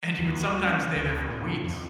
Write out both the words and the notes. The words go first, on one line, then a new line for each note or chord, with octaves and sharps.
And you would sometimes stay there for weeks,
D#2
F#4
C#4
C#3
D2
A2
F2